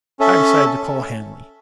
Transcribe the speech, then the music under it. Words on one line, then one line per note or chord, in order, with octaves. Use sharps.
I decided to call Hanley.
C#4 A4 E5